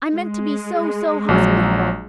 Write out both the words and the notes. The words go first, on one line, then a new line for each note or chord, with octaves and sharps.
I meant to be so--so--hospitable.
G#3
A#1 F#3